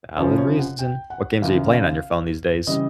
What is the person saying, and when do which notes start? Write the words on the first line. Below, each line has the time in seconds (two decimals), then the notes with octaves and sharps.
Valid reason. What games are you playing on your phone these days?
0.17 F#2 C#3 F3 C#5
0.38 C#5
0.59 F#5
0.79 G5
1.10 F#5
1.42 F#2 C#3 E3 F5
1.73 F5
2.67 C#3 E3 G3 D#5